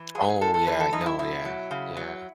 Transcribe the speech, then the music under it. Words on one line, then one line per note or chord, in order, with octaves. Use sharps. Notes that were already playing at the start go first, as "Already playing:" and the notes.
Oh, yeah, no, yeah. Yeah.
Already playing: E3
F#3 G#4
G#4
A2 A4
A4
E3 B4
A4
F#2 D#4
E4
B2 E4
F#3
C#3
F#3